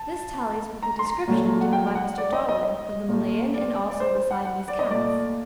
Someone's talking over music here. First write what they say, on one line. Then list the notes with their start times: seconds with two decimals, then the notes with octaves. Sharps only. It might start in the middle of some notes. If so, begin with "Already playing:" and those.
This tallies with the description given by Mr. Darwin of the Malayan and also the Siamese cats.
Already playing: A5
0.83 A#5
0.99 C6
1.05 A#5
1.28 A#2 F#3 A3
1.61 F#5
1.73 G5
1.95 F#5
2.18 D5
2.33 D#5
2.49 D#5
2.63 D#5
3.09 A#2 A3
3.54 D5
3.90 D5
4.00 C5
4.15 C5
4.31 F#5
4.45 F#5
4.68 D5
4.79 D#5
4.90 A#2 A3 D5